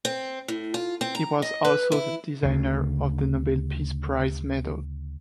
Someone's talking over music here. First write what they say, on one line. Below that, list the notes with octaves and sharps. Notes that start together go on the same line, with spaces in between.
He was also the designer of the Nobel Peace Prize medal.
C4
A2
F4
C4
A#5
D#5
B4
E4
D2 C#3